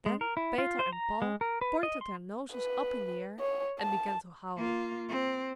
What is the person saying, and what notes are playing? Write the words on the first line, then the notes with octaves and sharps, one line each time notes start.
Then Peter and Paul pointed their noses up in the air and began to howl.
G#3
A#4
E4
F4
C5
A#5
G#3
A#4
B4
D#5
C6
B4
C#5
A5
A#3 F4
C4